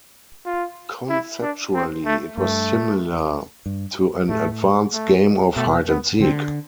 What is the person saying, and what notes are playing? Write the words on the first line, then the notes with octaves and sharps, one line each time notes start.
Conceptually, it was similar to an advanced game of hide and seek.
F4
E4
D4
C4
A3
G2 A3
G2
A2 A3
A3
B2 A3
B3
D3 C4